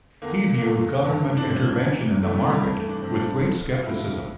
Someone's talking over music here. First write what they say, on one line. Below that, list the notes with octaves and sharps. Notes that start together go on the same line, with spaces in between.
He viewed government intervention in the market with great skepticism.
E2 D3 A#3
A#3
E2 D3 A3
G2 D3
D4
G2 D3 C4
E2 C3 E3
E2 C3 E3 A3
G3
G3
G2 E3 A3
A3
D4
G2 E3 C4
D4
F2 D3
F4
F2 D3 E4